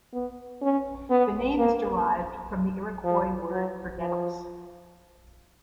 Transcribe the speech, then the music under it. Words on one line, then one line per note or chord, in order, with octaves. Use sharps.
The name is derived from the Iroquois word for nettles.
B3
C#4
B3
A#3
F3
F#3
F3